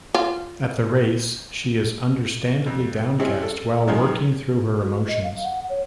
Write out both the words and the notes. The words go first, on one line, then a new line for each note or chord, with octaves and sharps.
At the race she is understandably downcast while working through her emotions.
F4
F2
G3 G#3 C4 C#4 E4
A4
F#2 D#3 F3 F#3 G#3
F#4
D#5
F5
F#5
C#5